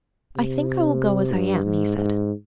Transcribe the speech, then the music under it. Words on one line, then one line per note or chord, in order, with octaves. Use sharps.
"I think I will go as I am," he said.
C3
G2
G#2
G#2